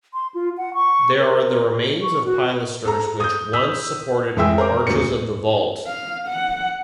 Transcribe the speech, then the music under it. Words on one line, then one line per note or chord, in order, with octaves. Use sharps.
There are the remains of pilasters which once supported arches of the vault.
C6
F4
F#5
C#6
A#4
C#6
F#4
A4 A#5
D#6 G6
D#6 E6 B6
F1 E3 G#3 E5 G5 E6
A#4 C5 D6
D#1 D2 C#7
F5
F#5